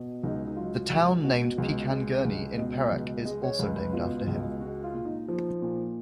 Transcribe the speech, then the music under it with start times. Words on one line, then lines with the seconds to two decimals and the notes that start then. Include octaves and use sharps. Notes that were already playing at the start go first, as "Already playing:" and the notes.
The town named Pekan Gurney in Perak is also named after him.
Already playing: B2
0.23 C#2 D#4
0.47 D#4
0.57 F#3 F4
0.90 C#2
1.23 B2 F#4
1.58 C#2
1.91 G#3
2.25 C#2
2.58 B2 D#5
2.92 C#2
3.25 G#3 D#5
3.43 C#5
3.59 C#2 B4
3.76 B4
3.93 B2 F4
4.27 C#2
4.60 G#3 F#4
4.84 F4
4.94 A#2
5.05 D#4
5.28 F3
5.62 A#2